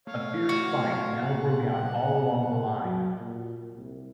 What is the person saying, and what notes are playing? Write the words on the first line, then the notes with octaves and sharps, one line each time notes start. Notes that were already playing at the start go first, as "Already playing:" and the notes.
A fierce fight now broke out all along the line.
A3 C#5 F5
F#4
A#2 F#5
F#3
A#2
C2